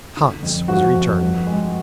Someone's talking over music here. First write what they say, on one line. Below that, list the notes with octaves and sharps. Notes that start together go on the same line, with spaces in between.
Hans was returning.
D3
F2
F3 F#4
F2
G2
G#3